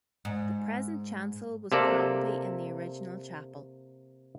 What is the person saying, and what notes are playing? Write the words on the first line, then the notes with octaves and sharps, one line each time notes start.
The present chancel was probably in the original chapel.
G#2
C3 A#3 A4 D5